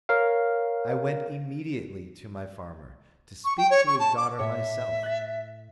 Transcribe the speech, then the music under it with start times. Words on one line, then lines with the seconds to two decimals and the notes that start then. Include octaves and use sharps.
I went immediately to my farmer, to speak to his daughter myself.
0.09 A#4 C#5 F5
3.44 C#6
3.57 G5
3.70 C#5
3.86 C#6
3.99 A5
4.16 D6
4.39 A2 C#5 E5
5.03 F#6 A6